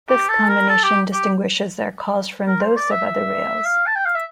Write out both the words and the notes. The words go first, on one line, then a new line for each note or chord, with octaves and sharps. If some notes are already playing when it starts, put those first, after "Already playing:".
This combination distinguishes their calls from those of other whales.
G4
A4
A#4
A4
G4
G4
A#4
C5
D5
E5
E5
F5
A5
G5
F5
E5